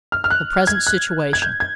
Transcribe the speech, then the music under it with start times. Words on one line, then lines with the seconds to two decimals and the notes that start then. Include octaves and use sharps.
The Present Situation.
0.12 F6
0.24 F6
0.30 F#6
0.67 G#6
0.87 F#6
1.33 G#6
1.42 G6
1.60 G#6